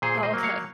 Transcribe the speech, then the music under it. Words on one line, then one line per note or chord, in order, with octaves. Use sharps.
Oh, okay.
A#2 G#4 C5
C5 D#5
F#3 A#3
C#5 F5